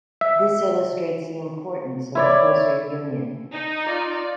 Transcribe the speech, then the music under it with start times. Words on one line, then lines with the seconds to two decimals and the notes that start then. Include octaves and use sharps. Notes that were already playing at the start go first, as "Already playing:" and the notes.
This illustrates the importance of a closer union.
0.21 E5
2.15 E4 C#5 D5
3.52 D#4
3.86 F4 D5